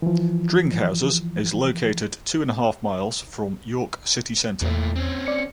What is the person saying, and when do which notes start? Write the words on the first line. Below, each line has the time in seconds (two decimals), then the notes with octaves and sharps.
Dringhouses is located two and a half miles from York City Centre.
0.02 E3 F3
4.61 E2 A#2 A3
4.96 C4 C#4
5.27 D5 C#7